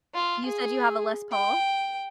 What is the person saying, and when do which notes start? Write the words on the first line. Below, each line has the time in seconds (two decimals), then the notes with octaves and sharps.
You said you have a Les Paul?
0.14 F4
0.45 G#4
1.32 G5